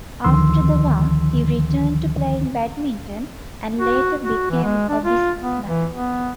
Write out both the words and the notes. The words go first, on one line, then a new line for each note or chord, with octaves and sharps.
After the war, he returned to playing badminton and later became a businessman.
D2 D3 D#3 F3 C6 E6
F#4
F#4
E3
G#3
D4
F4
B3
E3
B3